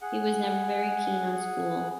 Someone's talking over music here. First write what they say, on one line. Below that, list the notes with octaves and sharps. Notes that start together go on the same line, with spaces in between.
He was never very keen on school.
G#4 F#5